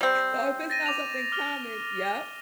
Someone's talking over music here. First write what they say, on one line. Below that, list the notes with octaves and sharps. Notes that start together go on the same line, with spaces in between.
So, if it's not something common Yep,
G3 C4
A6 A#6 D#7
D6 F7
D6 F6 G7